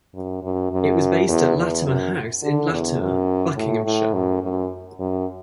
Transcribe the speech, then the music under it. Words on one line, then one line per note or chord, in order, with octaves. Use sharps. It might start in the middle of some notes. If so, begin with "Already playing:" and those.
It was based at Latimer House in Latimer, Buckinghamshire.
F#2
F#2
F#2
E2
E2
F#2
D3
E2
F#2
A2
A2
F#2
F#2
F#2